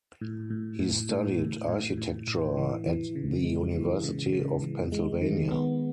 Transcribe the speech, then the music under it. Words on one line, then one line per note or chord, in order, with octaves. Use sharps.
He studied architecture at the University of Pennsylvania.
A2
A2
A2
A2
A2
A2
A2
A2
E3
E3
C#3
G#3
E3
C#3
C#3
E3
G#3
D#3
B3